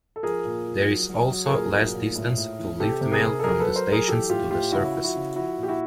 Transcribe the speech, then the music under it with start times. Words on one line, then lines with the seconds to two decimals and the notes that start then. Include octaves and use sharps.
There is also less distance to lift mail from the stations to the surface.
0.16 A4
0.23 F3 G#4 A#4
0.45 A#2
0.66 F3
0.87 F#3
1.09 F#3
1.30 F#3
1.46 A4
1.51 A#2 G#4 A#4
1.73 F#3
1.94 A#2
2.16 A2
2.37 A2
2.59 E3
2.80 C3 G4 A4
3.01 C3
3.12 G#4 A#4
3.23 C3
3.40 A4
3.44 F#3 G#4 A#4
3.60 A4 B4
3.66 F#3
3.76 A#4 C5
3.86 F#3
3.92 G#4 A#4
4.08 E3 G4 A4
4.29 A2 F4 G4
4.51 A2 F4 G4
4.72 C#3 E4 F#4
4.94 F3
5.04 E4 F#4
5.15 C#3
5.36 F3 E4 F#4
5.58 A#2
5.63 G4
5.68 E4 F#4